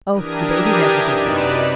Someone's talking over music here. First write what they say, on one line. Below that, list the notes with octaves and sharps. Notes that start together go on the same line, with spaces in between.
Oh, the baby never did that.
E3 D4 G4 A#4 D#6 G#6
F#2 C3 D#4 B4 D5 E7